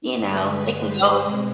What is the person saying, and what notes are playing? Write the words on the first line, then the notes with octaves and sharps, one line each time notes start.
you know they can go
G2 D3 G#3 B4
C5
B2 G#3 C4